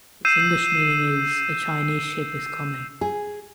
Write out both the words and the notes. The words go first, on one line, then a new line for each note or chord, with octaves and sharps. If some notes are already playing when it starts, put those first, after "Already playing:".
Its English meaning is "A Chinese Ship is Coming".
E6 G6 C7 D#7 E7
G#4